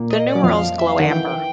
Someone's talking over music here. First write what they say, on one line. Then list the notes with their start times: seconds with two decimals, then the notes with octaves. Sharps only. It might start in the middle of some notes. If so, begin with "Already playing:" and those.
The numerals glow amber.
Already playing: A#2 A#3
0.10 D#5
0.27 D5
0.35 F#3
0.43 F2 F3 F5
0.79 E5
0.88 F5
0.99 D#3 F#5
1.11 E3 G5